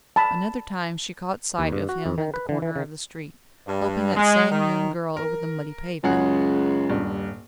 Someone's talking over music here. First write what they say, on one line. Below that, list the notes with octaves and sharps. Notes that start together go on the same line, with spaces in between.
Another time she caught sight of him at the corner of the street, helping that same young girl over the muddy pavement.
A5 B5
D#2
G2
F#4
F2
D#3
B4
D3
E3
C#3
G2
G#3
D#3
A#4
C#2 F#2 G#4 F#5
D#1 G2